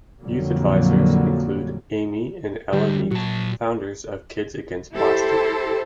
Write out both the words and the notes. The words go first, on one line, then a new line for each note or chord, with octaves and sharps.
Youth Advisors include Amy and Ella Meek founders of Kids Against Plastic.
F2 A#2 D3 F#3 G3 A#3
D2 G3
A#2 F#3 A5
E4 G4 A4 C5